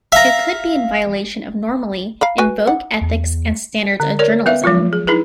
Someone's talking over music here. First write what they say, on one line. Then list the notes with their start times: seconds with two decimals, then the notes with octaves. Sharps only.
It could be in violation of normally in vogue ethics and standards of journalism.
0.12 E5 F5 A#5
2.21 F5 A#5 B5
2.38 F#4 B4 G#5
2.67 F#5
3.01 E2
4.00 D3
4.19 A#4 C#5 D5
4.46 B3 B4 E5 F5
4.64 F3 F#3 G#3 F4
4.93 G#4
5.07 D#4 E4 G#4 B4